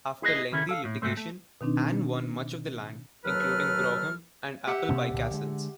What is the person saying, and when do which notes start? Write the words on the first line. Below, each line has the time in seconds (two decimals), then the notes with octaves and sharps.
After lengthy litigation Anne won much of the land, including Brougham and Appleby castles.
0.22 E4 G#4 B4 D#5
0.52 D#3 C#4 E4 A4
0.69 A4 F5
0.85 A2
1.02 G#2 C3 A3 C4
1.17 A3
1.61 B2 D#3 C4 D4 D#4
3.25 D#2 F#3 A4 B4 F6
4.67 G4 E5 F#5
4.89 B2 B3 C#4
5.13 C2 A#2 D3
5.31 D3 G#3